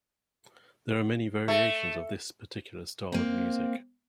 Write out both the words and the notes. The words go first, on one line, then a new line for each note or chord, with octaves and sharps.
There are many variations of this particular style of music.
A3
A#3 C4